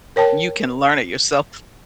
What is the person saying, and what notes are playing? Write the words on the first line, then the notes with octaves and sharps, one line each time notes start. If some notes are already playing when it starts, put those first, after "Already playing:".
you can learn it yourself.
A#4 C#5 G5 A5